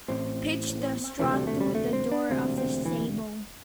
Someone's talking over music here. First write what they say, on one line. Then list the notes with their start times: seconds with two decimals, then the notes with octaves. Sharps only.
Pitch the straw through the door of the stable.
0.08 A1 A2 C4
1.19 E1 D2 C3 E3
1.33 G3
1.47 A3
1.60 G3
1.75 A3
1.93 C4
2.12 D4
2.30 E1 D2 C3 C4
2.58 C4
2.86 E3